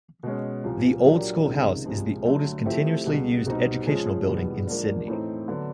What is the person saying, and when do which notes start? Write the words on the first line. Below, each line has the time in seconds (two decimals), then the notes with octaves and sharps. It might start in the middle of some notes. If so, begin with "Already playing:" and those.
The Old School House is the oldest continuously used educational building in Sydney.
0.23 B2 G#3 C#4
0.64 C2 A#2 F3
1.04 A#2 F#3 A#3 D4 G4
1.44 C#2 C3 D#3
1.84 C2 A#2 F3 G#3
2.25 D3 F#3 A3
2.65 F3 A3 C4 E4 G4
3.06 C#2 B2 G3
3.46 C2 B2 G3 C4 D#4
3.86 F3 G#3 C#4 F4 G#4
4.27 E2 B2 G3 B3
4.67 G#2 F3 A#3 D4
5.08 A2 E3 A3 C4 D#4
5.48 D3 F#3 B3 D4